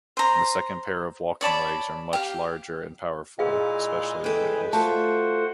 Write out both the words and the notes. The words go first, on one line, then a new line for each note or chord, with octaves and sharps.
The second pair of walking legs are much larger and powerful, especially in males.
C5 A#5
C#5 D5 A5 B5
G4 F5
A#2 G#3 E4 G#4 F5 F6
E3 A4 B4 G5 G#5
A3 F4 F#4 A4 C5 F#5 A5